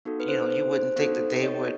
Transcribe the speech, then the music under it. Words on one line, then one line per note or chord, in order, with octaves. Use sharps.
you know, you wouldn't think that they would
B3 D#4 F#4 A4
B4
C5
C5
C5
B3 D#4 F#4 A4 C5
C#5 D#5